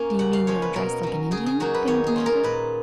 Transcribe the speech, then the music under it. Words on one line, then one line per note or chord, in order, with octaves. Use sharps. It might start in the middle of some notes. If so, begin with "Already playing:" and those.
'D'you mean you were dressed like an Indian?'Dan demanded.
Already playing: A#3 C#4 C#5
C#3 F#5
F5
F3 G#3 C#4 C#5
B4
B2 A#4
F#3 C#4
C#3 G#4
G#4
F#3 A#3 D#4 F#4
B4
D#3 C#5
G#4
G#3 C#4 F4
A#4
A#2 B4